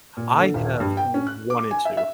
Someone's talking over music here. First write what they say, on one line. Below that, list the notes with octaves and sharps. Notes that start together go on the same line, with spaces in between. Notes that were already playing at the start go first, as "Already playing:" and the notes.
I have wanted to.
A#2
D3
D#1
G2
G5
C#4
F#6
D6
G#5
E5
E5